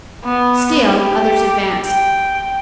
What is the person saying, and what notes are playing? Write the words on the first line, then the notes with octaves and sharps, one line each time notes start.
Still others advanced.
B3
G4
G5